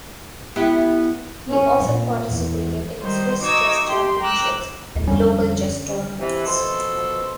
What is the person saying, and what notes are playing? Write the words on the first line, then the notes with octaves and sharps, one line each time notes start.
He often participated in Swiss Chess Championships and local chess tournaments.
B3 E4 G4
C#4
A#2
E2
D#3 G3 C5
D#4 F#4 D6 E6 G#6
G4 G5 C6
G5 A#5 D6 E6 F#6
D1 C#2
F2 D3 G3 C#4
C3 E3
B2 F3 A4 C6